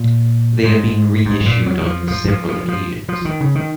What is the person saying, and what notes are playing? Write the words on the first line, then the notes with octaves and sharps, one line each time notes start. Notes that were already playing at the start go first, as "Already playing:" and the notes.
They have been reissued on several occasions.
Already playing: A#2
G#2
G#2
A#2
F#3
D#3
F3
F3
F3
F3
F3
F3
D#3
C#3
D#3